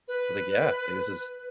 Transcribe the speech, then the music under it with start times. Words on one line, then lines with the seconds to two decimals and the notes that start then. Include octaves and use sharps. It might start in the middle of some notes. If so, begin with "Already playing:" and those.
was like, "Yeah, like, this is"
0.07 B4